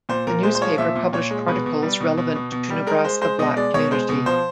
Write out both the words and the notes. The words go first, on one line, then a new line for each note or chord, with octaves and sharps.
The newspaper published articles relevant to Nebraska black community.
A#2 C5
A#2 A#4
G#3 C5
C5
F3 C#5
A#2 E5
A#2
A#2 C#5
G#3
B2 B4
B2
G3
B2
B2
B2
B2
G3
G#3 A#4
G#3 C5
G#3 C5
B2 D#5
G#3 D5
B2 C#5
G#3 C5
B2
F3 C5